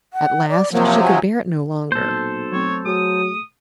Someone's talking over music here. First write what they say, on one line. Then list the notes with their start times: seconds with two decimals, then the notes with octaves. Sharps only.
At last she could bear it no longer.
0.13 F#5
0.49 D5
0.73 C3 F3 F#3 A#3
1.03 G#5
1.92 B1 A#2 A#3 A4 C5
2.52 F#3 A3 C4 C#5
2.85 F#3 A3 G#4 D#6